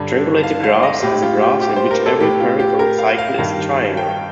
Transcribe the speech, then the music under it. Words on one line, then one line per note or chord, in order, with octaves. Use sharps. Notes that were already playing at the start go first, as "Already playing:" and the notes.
Strangulated graphs are the graphs in which every peripheral cycle is a triangle.
Already playing: G2 D3
F5
F5
D#5
A2 G4
F4
G4
G4
C5
A#4
A4
A2 G4
F4
G4
A#4
F5
F5
G2 D#3
G5